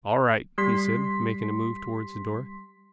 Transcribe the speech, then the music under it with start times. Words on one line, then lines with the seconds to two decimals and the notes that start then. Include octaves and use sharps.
"All right," he said, making a move towards the door.
0.58 G3 C6 B6